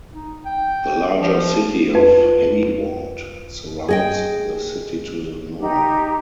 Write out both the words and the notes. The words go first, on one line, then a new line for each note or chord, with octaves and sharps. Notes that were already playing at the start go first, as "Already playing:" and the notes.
The larger City of Hayward surrounds the city to the north.
D#4
G5
F3
F2 B4
G#4 D#5 G5
D#4 G4